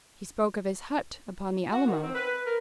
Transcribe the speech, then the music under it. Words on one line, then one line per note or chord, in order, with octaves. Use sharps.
He spoke of his hut upon the Alamo.
F#4
D#3
C4
B4
A#4